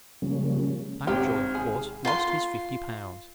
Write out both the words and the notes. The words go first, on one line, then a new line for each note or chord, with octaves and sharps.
Mountjoy of course lost his fifty pounds.
C#3 F3 G3 G#3 A#3 C#4
G#1 C3 G4 F6
G#4
F4 C6